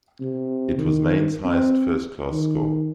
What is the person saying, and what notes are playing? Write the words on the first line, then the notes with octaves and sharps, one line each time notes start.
It was Mayne's highest first-class score.
C3
D#3
C4
D#3